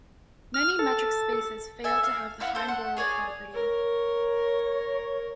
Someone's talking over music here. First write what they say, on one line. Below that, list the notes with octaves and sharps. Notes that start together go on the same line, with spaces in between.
Many metric spaces fail to have the Heine-Borel property.
F6
A4
A4 E5 G#5
F5
E4 F5 F#5
A4 C5
F#5
G#4 C#5 D5 G#5
A#4 C#5